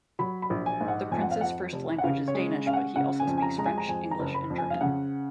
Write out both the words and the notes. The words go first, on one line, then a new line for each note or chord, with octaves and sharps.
The Prince's first language is Danish, but he also speaks French, English and German.
F#3 B5
B5
A#1
G#5
G#2
F#5
F2 G#5
F#5
F5
F2 F#5
F1
F#5
C#3 F5
C#5
G#3
C#4 F5
F#5
C#3 F#5
G#5
F2
G#5
A#5
G#3 A#5
G#5
A#5
F2 G#5
A#5
F#1
B5
F2
G#5
F5
C#3 F#5